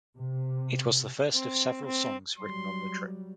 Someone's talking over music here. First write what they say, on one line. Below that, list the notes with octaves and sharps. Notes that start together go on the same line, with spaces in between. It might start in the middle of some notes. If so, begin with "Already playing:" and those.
It was the first of several songs written on the trip.
C3
C4
C4
F#3 G3 C6